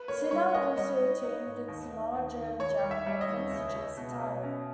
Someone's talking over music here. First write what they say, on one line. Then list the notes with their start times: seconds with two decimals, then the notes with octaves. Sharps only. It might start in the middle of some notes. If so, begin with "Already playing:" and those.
Sydal also teamed with Samoa Joe and Jack Evans to chase the title.
Already playing: B4
0.08 A#3 C#5
0.31 G3 C#5
0.54 A#3 D#5
0.77 G3 D#5
1.01 D#4
1.23 D#4
1.46 G#2
1.68 D#2
1.92 D#2
2.15 D#2
2.37 D#3
2.60 D#2 C#5
2.83 G3
2.91 E5
3.06 G3
3.21 D#5
3.28 D#2
3.51 C#2
3.75 C#2
3.97 B2
4.20 B2
4.43 C#4